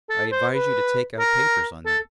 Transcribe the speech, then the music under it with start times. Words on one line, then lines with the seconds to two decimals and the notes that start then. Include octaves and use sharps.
"I advise you to take out papers on that."
0.10 A4
0.32 C5
0.54 B4
1.20 A#4
1.86 A4